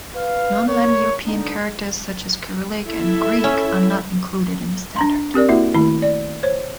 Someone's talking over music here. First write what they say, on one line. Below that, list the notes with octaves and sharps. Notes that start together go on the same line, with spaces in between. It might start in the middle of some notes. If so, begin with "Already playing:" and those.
Non-Latin European characters, such as Cyrillic and Greek, are not included in the standard.
B4 F5
A#4 C#5
D3 D4 D#4
E4 A4 E5
C#4
D4 A#5 C6
C4 G4 A#4 D5
A#3 E4 F#4 E5
D#3 A3 E4 B5
D5
C5 C#5